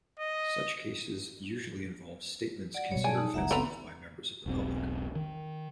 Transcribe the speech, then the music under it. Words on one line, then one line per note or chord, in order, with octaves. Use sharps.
Such cases usually involved statements considered offensive by members of the public.
D#5
D5 F#5
B2 F#3 G3 C#5
G#4 D5 G#5 A5
D#4
F#1 C#2 D#3 E5 F#5 A#5
B3 C4 A4 B4 A#5
E1 B1 C#3 C4
D#3